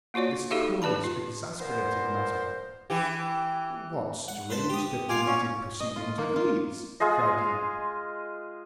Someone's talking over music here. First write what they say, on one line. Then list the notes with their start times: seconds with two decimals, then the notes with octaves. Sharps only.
This coolness exasperated Mazarin. "What strange diplomatic proceedings are these!" cried he.
0.14 A#3 F4 F#4 C#5 D5
0.51 D#4 F#4 G4 A4 E5 F5
0.82 G4 B4 D5 A5 B5
1.04 F4
1.59 A#2 B3 A#4 C5
2.90 E3 G4
4.28 F#5
4.50 B4 C5 A5
4.70 G4 D#6
5.09 F4 F5 G#5 D6
5.26 C#4 C#5
5.80 D#5
5.96 F4
6.18 A#3
6.36 F4
7.00 G#3 F4 G#4 D#5